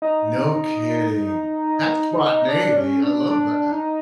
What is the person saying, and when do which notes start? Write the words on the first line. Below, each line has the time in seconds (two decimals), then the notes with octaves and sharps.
No kidding. That's spontaneity, I love that.
0.02 D#4
2.49 D4
2.76 C#4
3.03 D4
3.31 D4
3.72 D#4